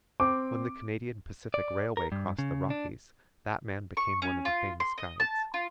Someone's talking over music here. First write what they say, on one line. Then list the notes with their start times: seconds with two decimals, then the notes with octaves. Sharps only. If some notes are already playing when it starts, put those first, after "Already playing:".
When the Canadian Pacific Railway crossed the Rockies, that man became one of the famous guides.
0.20 C4 D6
1.54 D5
1.97 A#4
2.12 G2
2.39 C#3
2.70 D4
3.97 C#6
4.22 C#4
4.45 F4
4.80 C6
4.98 D#5
5.20 A5
5.54 F4